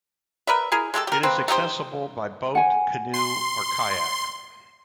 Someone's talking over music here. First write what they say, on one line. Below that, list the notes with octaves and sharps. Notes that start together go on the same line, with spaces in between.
It is accessible by boat, canoe, or kayak.
A#4 B4 D5 E5
E4 G#4 A#4
G#3 A3 G4 A4
G4 A#4
A#3 C4 B4
A3 D#4 G4 C5
F#5 G#5
C6